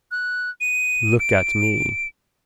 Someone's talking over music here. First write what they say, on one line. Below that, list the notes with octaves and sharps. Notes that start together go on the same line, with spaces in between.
Look at me.
F#6
D#7
D7